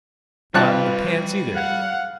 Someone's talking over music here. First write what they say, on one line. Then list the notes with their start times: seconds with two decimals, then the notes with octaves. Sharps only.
Not in the pants, either?
0.54 G#1 G3 F4 B4 A5 F#6
1.55 F5 F#5